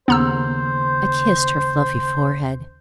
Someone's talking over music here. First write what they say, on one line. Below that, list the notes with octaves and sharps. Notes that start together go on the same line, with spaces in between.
I kissed her fluffy forehead.
D#2 C#3 B3 C5 A#5 E6